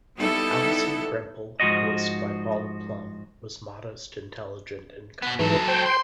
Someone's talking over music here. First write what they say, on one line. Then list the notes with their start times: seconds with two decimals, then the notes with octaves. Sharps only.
Alison Krempel, voiced by Paula Plum, was modest, intelligent and kind.
0.18 G3 B3 D#4 E4 A4
1.60 G#2 E3 F3 F#4 D#5
5.22 B2 B3
5.39 G#2 E3 F#3 A4
5.68 C5 G5
5.86 C6